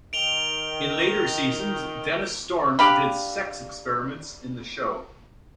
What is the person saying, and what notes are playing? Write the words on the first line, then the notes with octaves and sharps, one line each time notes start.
In later seasons, Dennis Storm did sex experiments in the show.
D#3 D7 F7 G7
D4 G4 F5 B5